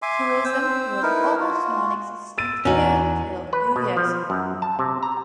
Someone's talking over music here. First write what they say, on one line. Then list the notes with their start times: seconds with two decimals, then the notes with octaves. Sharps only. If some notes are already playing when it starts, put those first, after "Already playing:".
Tourism was almost non-existent here till a few years ago.
0.02 E5 G#5 C6 D6
0.44 C4 C5 E6
1.03 D#4 E4 A#4 B4
1.40 F4 F#4
2.38 E6 A6 D#7
2.65 E2 C#4 D#4 F#4 G#5 A#5
3.53 B4
3.76 B2
3.97 F3
4.30 F#2
4.62 A5
4.79 C3
5.03 A#5